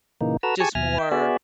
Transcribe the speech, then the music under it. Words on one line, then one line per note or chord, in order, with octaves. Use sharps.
just more
A#2 C#3 E3 A#3 D#4
F#4 A4 B4 A#5 E6
G4 G#4 G#5 A5 C#6
D#2 B2 E5 G#5 F6 A#6
E5 G5
B3 F#4 G#4 D5 E5